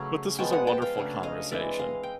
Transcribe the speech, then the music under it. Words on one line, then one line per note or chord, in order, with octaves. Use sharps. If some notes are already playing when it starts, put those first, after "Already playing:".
But this was a wonderful conversation.
Already playing: C#3 F#3 A3 C#4
F3 G#3 B3 G5 A5
F#5 G#5
G5 A5
F5 G5
C#3 F#3 A3 D4
D#5 F5
E3 G#3 C4 D5 E5
D#5 F5
G5